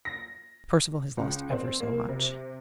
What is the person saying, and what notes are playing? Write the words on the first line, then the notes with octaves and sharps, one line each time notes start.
"Percival has lost ever so much."
A#6
C#2
C4
A#3
C3